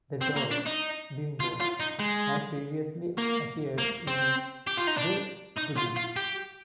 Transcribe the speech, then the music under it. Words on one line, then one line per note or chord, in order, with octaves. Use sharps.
The dog, Bimbo, had previously appeared in "The Goodies".
C4
A#3
D4
D#4
F4
F4
D#4
G#3
A#3
A#3
C4
G4
F4
D#4
D4
D#4
F4
F4
G4